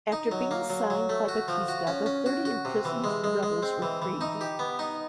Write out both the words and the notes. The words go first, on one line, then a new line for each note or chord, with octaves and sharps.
After being signed by Batista, the thirty imprisoned rebels were freed.
D#4
F#3
A#3
F#3
F#3
A3
F#4
F3
F#4
C#4
C#4
F#4
F#4
C3
E3
G#3
G#3
G#3
C4
E3
E3
D#4
G4
B3
D#4